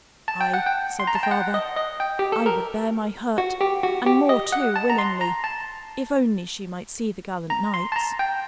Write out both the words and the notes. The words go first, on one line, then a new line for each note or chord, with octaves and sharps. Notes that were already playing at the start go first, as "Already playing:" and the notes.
"Aye," said the father, "I would bear my hurt, and more too, willingly, if only she might see the gallant knights."
A5
G5
F#5
G5
C6
A#5
A5
G5
F#5
D#5
D#5
G5
G4
A4
A#4
F#4
G4
F#4
G4
D#5
F#5
A5
A#5
C6
A#5
A5
A#5
C6
A5
A#5
G5